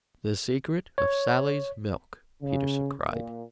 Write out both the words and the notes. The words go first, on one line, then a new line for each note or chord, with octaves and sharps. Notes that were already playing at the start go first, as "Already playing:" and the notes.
"The secret of Sally's milk," Peterson cried.
C#5
C#3
A#2